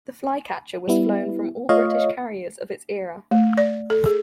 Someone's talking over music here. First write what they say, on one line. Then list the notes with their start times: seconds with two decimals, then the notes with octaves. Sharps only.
The Flycatcher was flown from all British carriers of its era.
0.88 G3 B3 E4
1.69 A3 F4 C#5 D#5 F5
3.31 A3
3.57 D5
3.90 A4
4.06 G#4